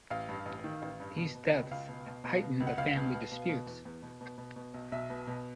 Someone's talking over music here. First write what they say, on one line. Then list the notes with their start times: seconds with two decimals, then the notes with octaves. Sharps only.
These deaths heightened the family disputes.
0.10 A1 F5
0.29 G2
0.46 A1
0.64 D#3
0.82 A1
1.00 G2
1.17 B2
1.35 B2
1.53 C#2
1.71 C#2 F5
1.89 B2
2.06 B2
2.24 B2
2.42 B2
2.60 C#2
2.67 F#5
2.78 C#2 F5
2.96 B2
3.14 B2
3.32 B2
3.49 B2
3.66 E2
3.85 E2
4.02 B2
4.21 B2
4.38 B2
4.56 B2
4.74 B1
4.92 B1 E5
5.10 B2
5.27 B2